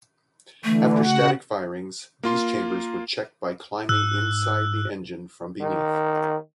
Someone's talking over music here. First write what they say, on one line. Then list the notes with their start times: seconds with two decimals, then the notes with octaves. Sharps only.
After static firings, these chambers were checked by climbing inside the engine from beneath.
0.64 D3 E3 A3
1.02 C#3 F#4 F#5
2.23 A#3 F4 C6
3.89 G#2 E6 F#6
5.61 D#3